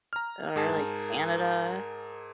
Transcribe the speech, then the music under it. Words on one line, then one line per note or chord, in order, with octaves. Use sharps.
or, like, Canada
A#5 F6
G#2 G#4 A#4 A5